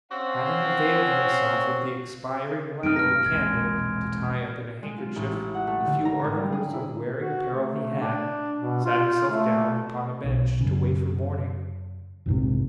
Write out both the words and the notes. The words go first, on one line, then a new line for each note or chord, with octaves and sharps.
Having availed himself of the expiring light of the candle to tie up in a handkerchief the few articles of wearing apparel he had, sat himself down upon a bench, to wait for morning.
C4 C#4 F#4 F5
F#2 C3 A3 D#4 F6 D7
G2 F6 A#6
E1 A#1 F2 G#3 G#6
G#3
F4
A1
E4
F#5
A3
D3
A#5
G#1
G3
G#4
E4
F#4
A3
D4
B2
F4
A3
B1
F#2 C#3
A#1 F2 G#2 C3